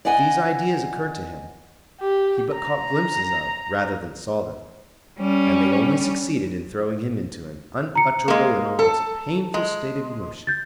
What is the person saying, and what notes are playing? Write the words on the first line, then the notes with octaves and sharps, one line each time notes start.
If these ideas occurred to him, he but caught glimpses of, rather than saw them, and they only succeeded in throwing him into an unutterable and almost painful state of emotion.
D5 D#5 F#5 G#5
G4
A#5
G3 C#4
A#5 C#7
G#3 A#3
A4
G#3
G6 A6